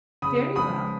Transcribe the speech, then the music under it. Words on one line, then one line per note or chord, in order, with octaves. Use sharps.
"Very well."
C#3 B5 D#6
F3 G#3 B5 D#6